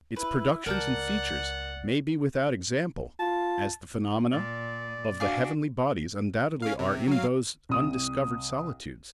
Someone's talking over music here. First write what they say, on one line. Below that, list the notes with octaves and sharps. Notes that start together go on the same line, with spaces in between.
Its productions and features may be without example, as the phenomena of the heavenly bodies undoubtedly are in those undiscovered solitudes.
E4 B4
C#2 A#4 D5 F#5 A5 G6
F4 A5
A#2 D5
D4 F#4 G#4 F5 D6
C#4 F5
C3
F#3 F5
C2 D#6